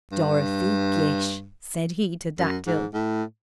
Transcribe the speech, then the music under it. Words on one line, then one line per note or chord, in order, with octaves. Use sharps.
DOROTHY GISH, said he to Dactyl.
G2
F#2
G#2
A2